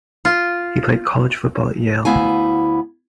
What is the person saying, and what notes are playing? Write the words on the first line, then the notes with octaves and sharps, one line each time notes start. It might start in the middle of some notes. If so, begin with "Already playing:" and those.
He played college football at Yale.
F4
D2 D#3 B3 E4 F5 G#5